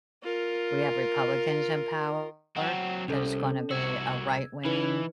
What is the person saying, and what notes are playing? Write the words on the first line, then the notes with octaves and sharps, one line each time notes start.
we have Republicans in power, that it's gonna be a right-wing,
F4 A#4
F#3 C4 F#5
C2 C#4 A4
C2 F#4 E6 G#6
E3 D#4 E4 B4